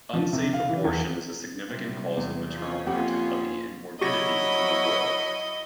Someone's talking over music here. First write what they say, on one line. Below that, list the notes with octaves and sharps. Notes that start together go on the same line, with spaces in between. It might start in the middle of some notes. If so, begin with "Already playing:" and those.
Unsafe abortion is a significant cause of maternal mortality and morbidity in the world.
F3
C3
F5
E3
E2
C3 F#3 G3
E2
C#4 F4
F2 A#3 C#4 F4 G4 F#5
F#3 E4 F#4 G4 D#5 B5 C#6 A#6